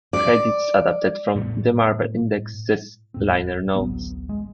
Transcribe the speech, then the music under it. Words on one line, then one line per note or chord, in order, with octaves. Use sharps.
Credits adapted from "The Marble Index"'s liner notes.
D5
A2 G3 A3 B3
E1 A2 C4
D1 A1 F#3 B3
G#3